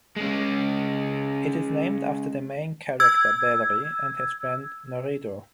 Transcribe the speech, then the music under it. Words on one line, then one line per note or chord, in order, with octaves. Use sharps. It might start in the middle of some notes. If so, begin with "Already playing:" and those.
It is named after the main character Bellri and his friend Noredo.
G#3 C#4
E6 G#6